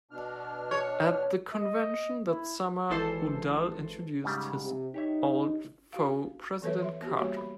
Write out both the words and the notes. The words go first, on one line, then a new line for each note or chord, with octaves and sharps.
At the convention that summer, Udall introduced his old foe, President Carter.
B2 D4 F6
C#5
D#5
E4
G#1 E3 A4 C5 C6
G#2 C#3 G3
C3
D#4 G4 C#5 E5
F#4 F5
E3 B3 A4 B4 C#5 E5
E5 C6
B3 F#4 G4
G3 A#3 B3 F#4 C#5 E5
B5